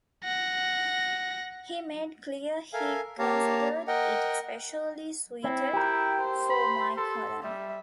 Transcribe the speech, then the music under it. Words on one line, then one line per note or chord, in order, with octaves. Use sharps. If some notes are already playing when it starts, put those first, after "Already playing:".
He made clear he considered it especially suited for my column.
F#5 A#6
A4 A#4 E5 F5 G#5
A#3 G4 C#5 F5 A5 A#5
A#4 D#5 F#5 G5
C4 E4
G4 A#4 G5
C5
B5 C6
A4
G3 E5